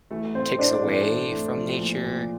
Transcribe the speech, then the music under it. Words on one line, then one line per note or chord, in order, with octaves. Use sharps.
takes away from nature?
E3 A3 A4
A2 C4 C5
A2 D4 D5
E3 C4 C5
E3
A2
F3
A#2
A#2